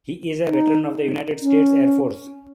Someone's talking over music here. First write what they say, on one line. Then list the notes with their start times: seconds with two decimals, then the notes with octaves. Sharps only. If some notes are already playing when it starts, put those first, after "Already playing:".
He is a veteran of the United States Air Force.
0.48 D#4
1.42 C#4